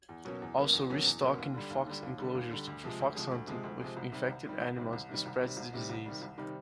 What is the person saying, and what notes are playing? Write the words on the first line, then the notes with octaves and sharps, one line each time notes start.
Also, restocking fox enclosures for fox hunting with infected animals spreads the disease.
E2
B2 F#3 A#3 C#4
E2
B2 F#3 A#3 C#4
E2
B2 F#3 A#3 C#4
E2
B2 F#3 A#3 C#4
D#2
D3 G3
D#2
D3 G3
D#2
D3 G3
D#2
D3 G3
D2
C3 F3 G#3
D2
C3 F3 G#3
D2
C3 F3 G#3
D2
C3 F3 G#3
C2
C3 D#3 G3
C2
C3 D#3 G3
C2
C3 D#3 G3
C2
C3 D#3 G3
C2
C3 D#3 G3
C2
C3 D#3 G3
C2
C3 D#3 G3
C2
C3 D#3 G3